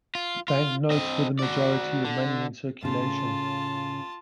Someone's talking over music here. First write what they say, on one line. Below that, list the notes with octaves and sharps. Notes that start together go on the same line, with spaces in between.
Banknotes were the majority of the money in circulation.
F4
F4
C4 D#5
F#4 D5
D3
A2 C#3 F4 A5